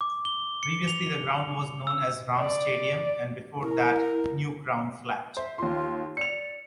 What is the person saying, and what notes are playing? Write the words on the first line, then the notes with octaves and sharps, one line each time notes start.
Previously the ground was known as 'Ram Stadium' and, before that, 'New Crown Flatt'.
D6
G7
C#7
F7
E6
D5
E4 A#4
C5 E5
D#2 F4 C6
D5 C#7 F7